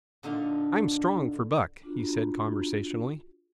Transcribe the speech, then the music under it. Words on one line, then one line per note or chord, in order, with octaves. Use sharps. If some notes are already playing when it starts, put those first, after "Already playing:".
"I'm strong for Buck," he said conversationally.
A#2 D3 D#4 F5
D4 F4 F#4 G#4